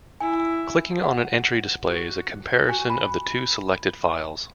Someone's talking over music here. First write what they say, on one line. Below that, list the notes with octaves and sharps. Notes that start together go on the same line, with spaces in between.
Clicking on an entry displays a comparison of the two selected files.
E4 G#5
F#5
F#4
F#4 G#5
B5